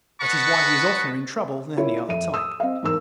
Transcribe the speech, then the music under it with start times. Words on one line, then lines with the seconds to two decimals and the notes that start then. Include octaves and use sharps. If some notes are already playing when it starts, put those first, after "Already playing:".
That is why he is oftener in trouble than any other type.
0.21 B4 D#5 F#5 A5 B5 C#6
1.77 E4 F4 A#4 C#5
2.08 F2 E5 D#7
2.34 D#6 E6
2.60 C4 D#5 F5
2.82 E2 G#2 A#4 E6